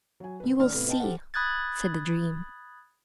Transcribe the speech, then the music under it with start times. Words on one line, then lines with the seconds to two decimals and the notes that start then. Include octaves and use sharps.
"You will see," said the dream.
0.20 F#3 G#5
0.40 C2 B4
0.59 D#2 C#4 D5 F6
0.73 A2 C3 B3
0.88 B4 D#5 G5 A5
1.00 G4 A4 C5 F#5
1.34 B5 D#6 F#6 G#6 A6